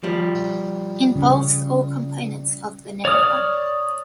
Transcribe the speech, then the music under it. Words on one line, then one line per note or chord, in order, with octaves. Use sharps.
Involves all components of the nephron.
F3 G3
C#3
C#5 D5 D#6 F6